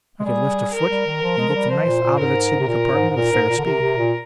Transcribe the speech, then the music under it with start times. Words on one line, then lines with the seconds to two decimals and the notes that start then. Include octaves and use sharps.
I could lift a foot and get the knife out of its hidden compartment with fair speed.
0.20 G#3
0.25 G3 G#4
0.73 A#4
0.90 G3
1.06 D#3
1.22 F3
1.38 G#3
1.49 F3
1.55 G3
1.70 F3 C5
1.86 A#2
2.03 A#2
2.19 G#2 A#4
2.59 C3
2.67 A#2 A#4
2.92 G#2
3.10 G#2
3.16 A#2 A#4
3.32 G#2
3.49 A#2
3.57 D3
3.65 C3 A#4
3.81 C3
3.97 A#2